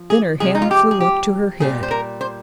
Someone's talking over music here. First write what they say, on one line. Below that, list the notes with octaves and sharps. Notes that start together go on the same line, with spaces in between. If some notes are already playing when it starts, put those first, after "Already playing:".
Then her hand flew up to her head.
Already playing: F3
G#4
C3 F3 G#3 G#4
D#4
F4
G4
G#4
G4
A#2 G3 G#4
C5
A#4
C5